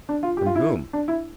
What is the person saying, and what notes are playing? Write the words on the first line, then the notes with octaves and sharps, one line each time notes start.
From whom?
D4
F4
G4
F4
E4
D4
E4